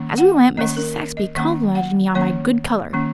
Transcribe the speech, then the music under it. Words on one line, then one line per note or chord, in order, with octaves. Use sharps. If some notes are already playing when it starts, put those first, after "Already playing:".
As we went Mrs. Saxby complimented me on my good colour.
Already playing: D#3 A#3 C#4
F#5
D#3 A#3 C#4 D#5
A#4
D#5
D#3 A#3 C#4
F#5
D#3 A#3 C#4 C#5
D#3 A#3 C#4